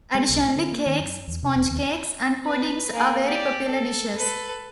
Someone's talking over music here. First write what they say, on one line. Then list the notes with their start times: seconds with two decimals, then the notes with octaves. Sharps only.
Additionally, cakes, sponge cakes, and puddings are very popular dishes.
0.15 G#3
0.29 B1
0.43 A2
0.56 D3
0.72 A#3
0.86 D#3
0.99 F#2
1.28 E2
1.43 C3
1.56 E1
1.70 D#2
2.45 B4
2.93 A#3 G#4
3.24 G4 D5
3.66 A4
4.16 A4 B4